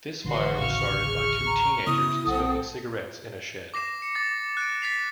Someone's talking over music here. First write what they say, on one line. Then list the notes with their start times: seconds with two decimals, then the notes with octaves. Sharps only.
This fire was started by two teenagers smoking cigarettes in a shed.
0.24 G#1 D3 E3 F#4 B4 C6
0.59 A1 D2 C#3 F5 C#6 F6
1.05 G#4
1.46 A#5
1.87 C#3 B3 E4 D#6
2.27 B1 C4 A4 F#5
3.74 D6 A#6 C7 E7
4.02 C#7
4.15 D6 A6
4.57 F#6 D7
4.82 A6 B6 C7 F7